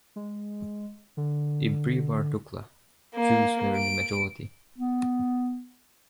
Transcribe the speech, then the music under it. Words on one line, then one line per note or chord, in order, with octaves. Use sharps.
In prewar Dukla, Jews were in the majority.
G#3
D3
A#3
D7
B3